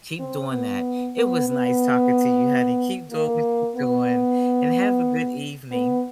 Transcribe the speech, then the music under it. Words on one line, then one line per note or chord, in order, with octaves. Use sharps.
keep doing that. It was nice talking to you, honey, keep doing what you doing and have a good evening.
C4
B3
B3
B3
A#3
B3
B3